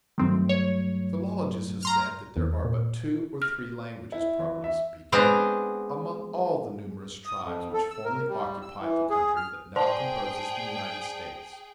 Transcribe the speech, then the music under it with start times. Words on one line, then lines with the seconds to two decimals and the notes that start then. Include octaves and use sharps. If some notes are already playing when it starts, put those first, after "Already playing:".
Philologists have said that there are but two or three languages, properly speaking, among all the numerous tribes which formerly occupied the country that now composes the United States.
0.18 G2 D#3 F#3 A3 C4
0.49 C#5
1.83 A#5 C6 F6
2.37 E2
2.65 A#2
3.42 F6
4.12 E4
4.39 E3
4.64 E5
5.12 G#3 B3 C4 D4 D#5 F5
7.25 D#6
7.42 F2
7.73 A4
7.91 E6
8.05 A#4
8.29 G3
8.62 E6
8.79 E3
9.10 G#4
9.36 F6
9.76 G#4 C5 D5 G5 A5 C6